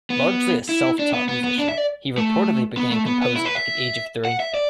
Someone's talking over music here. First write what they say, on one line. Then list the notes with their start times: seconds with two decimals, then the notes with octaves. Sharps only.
Largely a self-taught musician, he reportedly began composing at the age of three.
0.10 B3
0.69 E4
0.99 D4
1.14 B3
1.29 B3
1.44 B3
1.59 D4
1.69 E5
1.78 D5
2.18 A3
2.77 B3
2.92 A3
3.06 B3
3.22 B3
3.36 E4
3.45 B4
3.55 E5
4.25 F#5
4.40 E5
4.54 D5